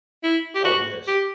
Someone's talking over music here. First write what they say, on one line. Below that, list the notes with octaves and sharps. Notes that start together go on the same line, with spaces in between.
Oh, yes.
E4
G4
F#4
G4